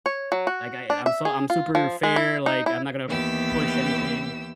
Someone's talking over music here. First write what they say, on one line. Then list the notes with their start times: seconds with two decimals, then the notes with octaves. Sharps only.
Like, I I I'm so I'm super fair, like, I'm not gonna push anything.
0.06 C#5
0.32 F#3
0.47 F#4
0.90 D4
1.06 E5
1.25 G#4
1.50 F4
1.75 F3
2.03 G#3
2.16 E4
2.46 D#4
2.66 E4
3.07 D#2 E3 B3 G4 E6